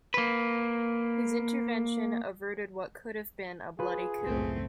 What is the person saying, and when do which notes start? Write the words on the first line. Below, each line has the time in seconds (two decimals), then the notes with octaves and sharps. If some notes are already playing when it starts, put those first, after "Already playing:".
His intervention averted what could have been a bloody coup.
0.14 A#3 B4
3.79 F4 G#4 B4
4.24 F#1 C2 A2 A3 C4